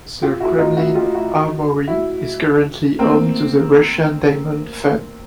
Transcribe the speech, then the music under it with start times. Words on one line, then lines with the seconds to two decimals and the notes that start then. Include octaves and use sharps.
The Kremlin Armoury is currently home to the Russian Diamond Fund.
0.22 F4 G4
0.40 E4 F#4
0.59 D#4 F4
0.77 E4 F#4
0.95 F4 G4
1.14 E4 F#4
1.88 E4 F#4
2.99 A#3 C4